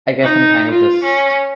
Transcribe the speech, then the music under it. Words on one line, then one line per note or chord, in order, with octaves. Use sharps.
I guess I'm kinda just
D#4
F4
C#4